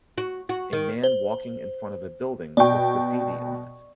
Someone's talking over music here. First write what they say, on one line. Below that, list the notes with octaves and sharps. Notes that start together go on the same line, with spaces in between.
A man walking in front of a building with graffiti on it.
F#4
F#4
D#3
C5
B2 D5 G5 C#6